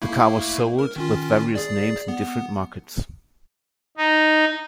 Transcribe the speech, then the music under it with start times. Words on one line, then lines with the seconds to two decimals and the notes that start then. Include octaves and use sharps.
The car was sold with various names in different markets.
0.02 A3 A#3 E4
0.79 A#4
0.96 D#3 C#4 F4
1.55 G#4 D5
2.08 B3
3.97 D#4